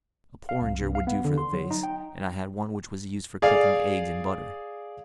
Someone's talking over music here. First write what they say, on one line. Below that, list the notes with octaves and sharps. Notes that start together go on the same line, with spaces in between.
A porringer would do for the vase, and I had one which was used for cooking eggs in butter.
F5
C2
C2
F5
B3
D3
C6
F#3
D#4
G5
G#4 D5 F5